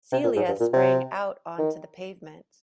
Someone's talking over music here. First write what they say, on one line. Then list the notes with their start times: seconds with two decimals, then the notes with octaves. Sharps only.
Celia sprang out on to the pavement.
0.12 C3
0.24 A#2
0.36 G#2
0.48 G2
0.60 A#2
0.73 C3
1.59 D#3